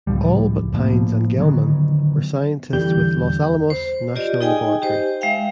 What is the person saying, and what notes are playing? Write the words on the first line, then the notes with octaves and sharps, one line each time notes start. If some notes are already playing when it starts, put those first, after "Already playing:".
All but Pines and Gell-Mann were scientists with Los Alamos National Laboratory.
C#2 A2 F3 G3
A2 F3 A#3
D3 D#3 F#3 B3
E2 D3 G3 G6
C5
F4 G4 D5 D#5
D#4 G#4 D#5 G5 G#5
G4 C5
G#3 E5 F5 G5